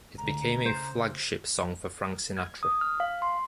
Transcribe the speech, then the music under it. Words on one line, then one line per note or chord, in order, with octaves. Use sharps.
It became a flagship song for Frank Sinatra.
C#2 D3 A3 A#5
C#3 C5
G#6
D#6
F6
F5
C6